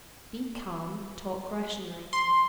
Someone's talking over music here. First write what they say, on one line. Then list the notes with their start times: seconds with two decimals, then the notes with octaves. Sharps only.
Be calm; talk rationally.
2.13 C6